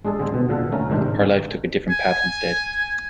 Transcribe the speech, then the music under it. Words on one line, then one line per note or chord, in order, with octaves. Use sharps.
Her life took a different path instead.
G#3 D4 G#4 A4
D3 G#3 C4
B2
A#2 D3 A4 F#5
A3 C#4 A#4
G#2 C3 D#3 C4 D4 G5
G#5